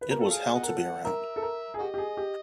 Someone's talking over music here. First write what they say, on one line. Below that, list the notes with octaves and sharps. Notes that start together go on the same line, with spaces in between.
It was hell to be around.
B4
A#4
A4
G#4 F5
D#5 F#5
A#4
A4
F#5
A#4 E5
A4
A#4
G#4
F#4 G4 D#5
G4
G#4
G4